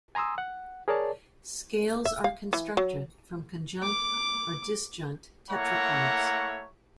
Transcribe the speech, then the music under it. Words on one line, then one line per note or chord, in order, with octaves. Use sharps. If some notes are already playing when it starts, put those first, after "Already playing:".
Scales are constructed from conjunct or disjunct tetrachords.
G#5 A#5 C6 D#6 E6
F#5
G#4 A#4 C#5 D5 A5
E5
F5
E3
F#3
D6
A3 A#3 E4 C#5 F#5 A#5